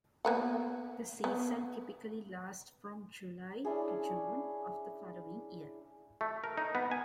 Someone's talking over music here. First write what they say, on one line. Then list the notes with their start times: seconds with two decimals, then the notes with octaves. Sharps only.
The season typically lasts from July to June of the following year.
0.25 A#3 B3 F#5
1.24 B3
3.65 C#4 D4 E4 G#4
6.21 A3
6.44 A#4
6.58 D#4
6.75 B3
6.91 G#5